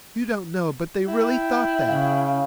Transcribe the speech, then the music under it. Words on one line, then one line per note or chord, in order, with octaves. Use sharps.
You don't know, but they really thought that.
E4 G5
C#3 F5